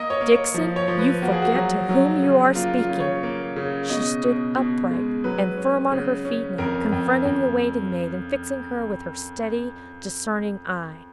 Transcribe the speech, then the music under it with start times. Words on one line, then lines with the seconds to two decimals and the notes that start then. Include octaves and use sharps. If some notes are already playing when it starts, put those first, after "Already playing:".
'Dixon! you forget to whom you are speaking.' She stood upright and firm on her feet now, confronting the waiting-maid, and fixing her with her steady discerning eye.
Already playing: A#3 D#5
0.10 C#5
0.21 A#3
0.32 C#5
0.54 F3
0.76 C#5
0.88 F3
0.99 B4
1.22 A#3 F#4
1.32 G#4
1.42 F#4
1.54 F#3
1.89 F#3
2.22 C#3
2.55 A#3 F4
2.78 F4
2.89 C#3
3.00 C#5
3.23 A#3
3.56 C#3
3.90 B2 D#5
4.24 B2
4.57 B2
4.91 G#3
5.24 F#3 B4
5.57 C#4
5.92 C#3
6.25 C#4
6.58 F2 A#4
6.92 F2
7.25 F2